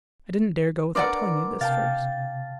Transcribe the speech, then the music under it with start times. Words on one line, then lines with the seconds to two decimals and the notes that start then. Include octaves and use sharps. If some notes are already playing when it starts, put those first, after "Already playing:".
I didn't dare go without telling you this first.
0.95 D4 A#4 B4 D5 F#5 C6 D6
1.61 C3 F5 G5 A5 A6